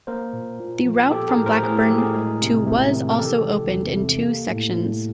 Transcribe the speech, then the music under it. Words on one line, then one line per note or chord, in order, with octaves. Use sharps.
The route from Blackburn to was also opened in two sections.
A#3 A#4 C5
A#2
A#2
F3
B3 G4 A4
G#4 A#4
A2
A#4 C5
A2 G#4 A#4
G4 A4
F#3
G#4 A#4
G#3
C3
C3
D#3
A#4
E3 G4 A4
G#3
E2
C3
A#3
A2
A2